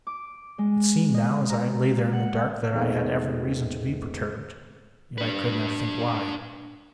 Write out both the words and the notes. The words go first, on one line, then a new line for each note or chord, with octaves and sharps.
It seemed now as I lay there in the dark that I had every reason to be perturbed, yet I could not think why.
D6
G#3
D#5
A#5
F#5
E2 G#2 G#3 A3 B3 C4
D4 B4